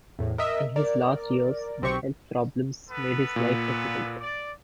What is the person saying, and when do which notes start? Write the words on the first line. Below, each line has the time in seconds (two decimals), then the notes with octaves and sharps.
In his last years the health problems made his life difficult.
0.19 E2 A2
0.38 A#4 D#5 E5
0.76 A#4 D5
1.82 B1 C4 G4 C#6
2.90 B3 A4 B4
3.36 A#2
4.19 D5